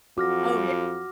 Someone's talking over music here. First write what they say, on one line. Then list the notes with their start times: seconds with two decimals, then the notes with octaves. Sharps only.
Oh ye
0.18 F2 F#4 D6 F6 A#6